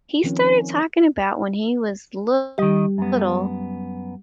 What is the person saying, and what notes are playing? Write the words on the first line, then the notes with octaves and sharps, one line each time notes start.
he started talking about when he was little,
D#3 F3 C4 C#4
D#3 G3 G4 D#5
F#2 B3